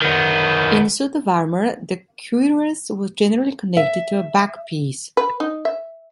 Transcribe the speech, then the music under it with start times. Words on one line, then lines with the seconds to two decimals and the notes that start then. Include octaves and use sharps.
In a suit of armour, the cuirass was generally connected to a back piece.
0.02 D#3 B3
3.77 E5
5.17 B4
5.40 D#4
5.65 E5